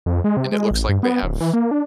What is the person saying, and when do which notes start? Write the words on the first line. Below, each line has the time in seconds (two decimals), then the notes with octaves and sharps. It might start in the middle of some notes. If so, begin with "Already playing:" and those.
and it looks like they have
0.06 F2
0.24 G#3
0.37 C3
0.52 G#3
0.71 A1
0.89 G2
1.03 B3
1.23 D1
1.41 E3
1.53 A#3
1.71 D4